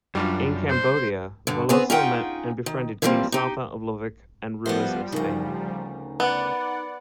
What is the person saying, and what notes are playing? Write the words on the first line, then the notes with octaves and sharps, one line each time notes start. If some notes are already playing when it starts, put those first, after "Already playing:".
In Cambodia, Veloso met and befriended King Satha of Lovek and Ruiz of Spain.
F#2 G3 D4 F4
C5
G2 D3
B3 C4 G#4
C#4 D#4 F4 G#4 F#5 G5
D#3
D3 E3 F3 G3 A#3 C4
D#4 G4
F3 G3 B3 F#4 A#4 C5 E5
D2 C#3 D#4 A#4 A#5
B3 D5 F#5